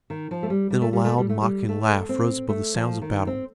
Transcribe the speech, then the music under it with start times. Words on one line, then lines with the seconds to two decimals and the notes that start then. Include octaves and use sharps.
Then a loud mocking laugh rose above the sounds of battle.
0.10 D#3
0.31 F3
0.43 A3
0.50 G3
0.70 G3
0.82 A3
0.93 G3
1.05 A3
1.18 G3
1.29 A3
1.41 G3
1.69 A3
2.09 C4
2.49 A3
2.75 F3
3.01 D#3
3.27 C4